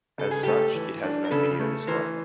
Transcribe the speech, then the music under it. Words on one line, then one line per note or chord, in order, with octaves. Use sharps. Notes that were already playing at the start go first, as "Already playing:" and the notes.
As such it has no video display.
C#3 A4
G#4
A3 G4 A4
E3
D4
A#4
C#3 A4 B4
A3
E3 A#4 C5